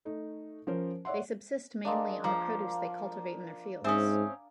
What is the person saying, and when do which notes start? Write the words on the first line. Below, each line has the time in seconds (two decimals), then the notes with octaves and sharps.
They subsist mainly on the produce they cultivate in their fields.
0.05 A3 D#4
0.67 F3 C#4 A#4 C5
1.05 C#5 D5 E5 F#5 C6
1.85 G#3 A#3 D4
2.24 F3 A#3 A#5 D6
3.84 G#2 C4 C#4 E5 G#5 D#6